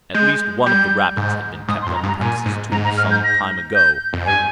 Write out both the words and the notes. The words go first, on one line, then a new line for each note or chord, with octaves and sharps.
At least one of the rabbits had been kept on the premises, too, some time ago.
G#3 G6
G3 G6
G#2
G#2 D#6
C6
F2
A#5
G2
A#5
A#2 G#5
G#2
G#2 A#5
A#5
F6
G6
A#6
G6
F2
G2 G#5